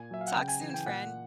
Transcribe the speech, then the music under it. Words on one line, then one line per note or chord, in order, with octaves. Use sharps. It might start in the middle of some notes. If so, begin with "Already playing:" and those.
Talk soon, friend.
Already playing: A#2 G#5
F#3 E5
F5
F#5
C#3 G5
G#5
E3
G5
A#2 F#5